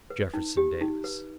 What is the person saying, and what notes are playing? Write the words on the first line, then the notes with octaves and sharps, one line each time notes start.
"Jefferson Davis".
B4
D#4
G4
D#4
B4